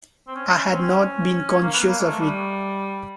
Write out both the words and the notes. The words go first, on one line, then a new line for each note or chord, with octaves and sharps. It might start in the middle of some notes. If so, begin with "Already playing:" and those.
I had not been conscious of it.
C4
C#4
C4
C#4
A#3
B3
A#3
G#3
A3
G3